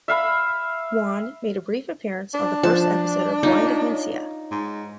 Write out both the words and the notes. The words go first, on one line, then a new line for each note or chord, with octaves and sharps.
Juan made a brief appearance on the first episode of "Mind of Mencia".
E5 F5 B5
D4
F3 C5 A5 F#6
D#4 F4 C#5
G#2